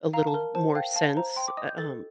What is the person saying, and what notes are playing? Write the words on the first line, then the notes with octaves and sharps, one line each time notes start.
a little more sense, eh, um,
F5 A#5
A5
A#4
C5 A5
F5 G5
F5 A5
C5 A#5
G5 C6
D6
D#5 D#6
G6
A4 A6